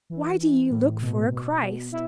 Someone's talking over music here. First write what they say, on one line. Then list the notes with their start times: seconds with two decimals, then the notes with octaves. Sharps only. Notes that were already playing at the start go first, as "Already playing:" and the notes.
Why do ye look for a Christ?
0.10 E3
0.41 E3
0.71 A2
1.01 B2
1.31 B2
1.62 B2
1.92 B2 E4